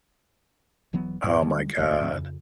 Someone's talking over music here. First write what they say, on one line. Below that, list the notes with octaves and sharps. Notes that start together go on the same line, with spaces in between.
Oh my god.
D#1 E3 F#3 B3
G2 A#2
D3 G3 G#3
F1 C#2 A2
G#2 F3 C4
F2 C#3